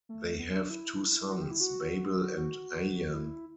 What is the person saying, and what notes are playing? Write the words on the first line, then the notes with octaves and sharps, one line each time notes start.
They have two sons, Babil and Ayan.
A3
B3
D4
E4
F#4
G4
E4
F#4
F#4
F#4
E4